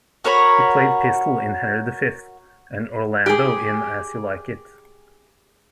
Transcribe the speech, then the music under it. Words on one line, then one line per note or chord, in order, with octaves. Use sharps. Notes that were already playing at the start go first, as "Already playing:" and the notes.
He played Pistol in "Henry the Fifth", and Orlando in "As You Like It".
F#4 A#4 C#5 B5
G4 G#4